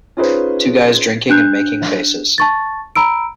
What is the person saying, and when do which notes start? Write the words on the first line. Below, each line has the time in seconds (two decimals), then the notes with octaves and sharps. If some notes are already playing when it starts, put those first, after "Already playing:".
Two guys drinking and making faces.
0.17 C#4 D#4 F4 G#4 B4 C5
1.30 D4 F#6 G6
2.38 A5 C#6 A6
2.96 A#5 B5 E6 D7